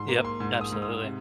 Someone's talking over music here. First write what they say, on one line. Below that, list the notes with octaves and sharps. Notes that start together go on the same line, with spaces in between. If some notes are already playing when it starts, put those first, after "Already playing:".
Yep, absolutely.
Already playing: G#2 C6
A#3
C6
G#2 C6
D#6
G#2
D#6
C3